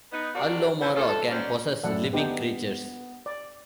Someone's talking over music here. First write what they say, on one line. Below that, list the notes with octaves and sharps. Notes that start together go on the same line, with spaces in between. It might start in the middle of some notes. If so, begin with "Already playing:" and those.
All loumara can possess living creatures.
B3 D#4
E2 C3 D4 F#4 A#4 D5
C4 E4 A4 B4 C5
A2 F4 A4
F2 A4
F#3 C#4 D#4 C5 D5
F#2 A2 A4 D5 F#5
B3 D4 D#4 G4
D5